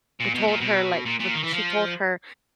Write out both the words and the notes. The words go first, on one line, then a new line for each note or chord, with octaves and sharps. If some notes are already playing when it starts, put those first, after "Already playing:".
uh, told her, like, that she told her,
A#2
B2
A#2
B2
A#2
A#2
D#3
E3
F3